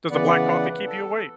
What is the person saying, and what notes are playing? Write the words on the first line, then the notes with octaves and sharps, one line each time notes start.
Does the black coffee keep you awake?
C#3 E3 B3 B4 D5 F#5
A4